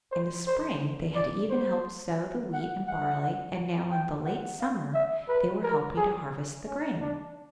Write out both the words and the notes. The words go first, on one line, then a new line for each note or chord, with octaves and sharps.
In the spring they had even helped sow the wheat and barley, and now in the late summer they were helping to harvest the grain.
C5
C5
D5
C5
F#5
F#5
G5
F#5
F5
E5
B4
A#4
G#4
C#4
D4